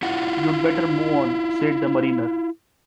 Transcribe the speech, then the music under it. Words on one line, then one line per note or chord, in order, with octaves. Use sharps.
"You'd better move on," said the mariner.
E4 F4 F#5